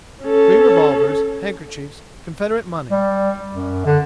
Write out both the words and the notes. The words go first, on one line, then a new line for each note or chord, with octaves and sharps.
Three revolvers, handkerchiefs, Confederate money....
C#4 A4
G3
F#2
D3